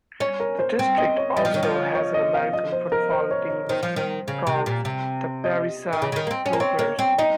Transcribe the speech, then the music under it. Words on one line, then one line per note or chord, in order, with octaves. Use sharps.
The district also has an American football team called the Berryessa Cougars.
C#4 C#5
A#4
C5
C4
D#5
C#5
G3 D#5
F3
D#3 C#5
F3
C#5
C#5
D#5
F5
D#5
C5
A#4
C5
C#5
C#5
D#3 C5
F3
D#3 C5
C#3
C3
A#2
C3
D#5
D#3
C#3
C#3
D#3
A#3
C4
C#4
A#3
C4 C#5
A#3 C#5
C4 C#5
D#4 D#5